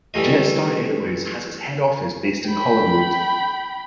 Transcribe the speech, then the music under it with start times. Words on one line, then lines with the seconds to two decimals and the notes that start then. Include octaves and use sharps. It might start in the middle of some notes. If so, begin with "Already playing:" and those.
Jetstar Airways has its head office based in Collingwood.
0.14 E3 G3 A3 D#5
2.48 G5 B5